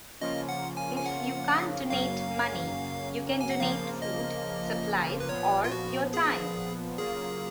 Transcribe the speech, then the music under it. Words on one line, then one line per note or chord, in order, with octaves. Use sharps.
If you can't donate money, you can donate food, supplies or your time.
C#3 F3 A#3 C#4 F4 D#5
F#5
G#5
G#5
F#5
F#2 C#3 F#3 A#3 C#4 F5
G#5
F#5
C#3 F3 A#3 F5
D#5
B4
A#2 F3 B3 C#5
F4
F#4
G#4
C#3 F#3 A#3 F4 G#4